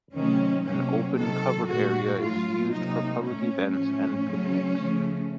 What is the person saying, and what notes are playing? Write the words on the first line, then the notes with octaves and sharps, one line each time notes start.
An open, covered area is used for public events and picnics.
C3 D#3 F#3 A3 C#4
C3 F#3 A#3 C#4
C3 D#3 F#3 A4
A#2 A3 F#4
A2 F#3 A3 F4
C3 F#3 A#3 D#4
A2 A3 C#4
A2 F3 A3 C#4
C#3 F#3 A3
C#3 F3 A3